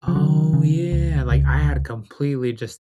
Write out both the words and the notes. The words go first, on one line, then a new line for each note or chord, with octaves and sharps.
"Oh, yeah." Like, I had completely just
F3
C#3 F#3
C#3
C#2
C#2